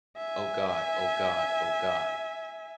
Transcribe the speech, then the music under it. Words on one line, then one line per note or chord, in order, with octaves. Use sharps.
Oh god, oh god, oh god!
E5 G#5